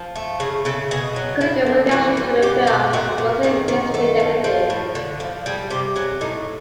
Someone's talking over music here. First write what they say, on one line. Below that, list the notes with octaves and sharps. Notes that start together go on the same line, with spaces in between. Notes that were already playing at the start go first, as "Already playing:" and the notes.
Critical reaction to the film was mostly mixed to negative.
Already playing: F3
A3
C#3 G#4
C#3 A4
B2 G#4
F#3
F3 E4
D3
E3 F#4
G3
B2 G4
B2 G4
A#2 F#4
A#2
D#3 G#4
D#3
A3 A4
F3
F3
A2
D3
F3
G3 G#4
C3 G4
F#3 G#4
A2 D#4